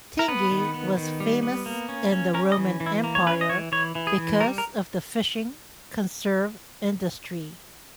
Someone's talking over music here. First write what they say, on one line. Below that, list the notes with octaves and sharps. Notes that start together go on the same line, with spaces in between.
Tingi was famous in the Roman empire because of the fishing conserve industry.
A#4
B3 B4
D#3
B3
D#3
G3
B3
A#3
C#4
C#4
C#4 A#4
D#5
E3
E3
E4
A#3
C#5
C#4 B4
D#5
E3 C#5
E3 C#5
E3
G#4
E3
G3 A#4
A#4